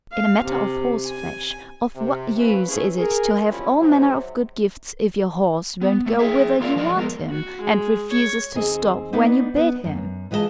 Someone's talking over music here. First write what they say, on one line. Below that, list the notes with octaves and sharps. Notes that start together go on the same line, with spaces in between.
In a matter of horseflesh of what use is it to have all manner of good gifts if your horse won't go whither you want him, and refuses to stop when you bid him?
F5
C3
G#5
C3
D#2 C4 C#4 F4 B4
A3 C4 C#4 E4 G#4 B4
G#4 A#4
F3 G3 C4 C#4 E4 F4
G#2 C3 F#3
B3
A3 E4
G#4 C#5 E5
A#3 C4 F4 A#4 D5 F5
F3 F#3 A#4 D5 D#5
G#3 B3 A#4
F#4
G#3
C#5
D#2 C4 G#4 D#5
A#3 B3 D4 D#4
B3
F#2
E3 G#3 F4 G4 D#5 A5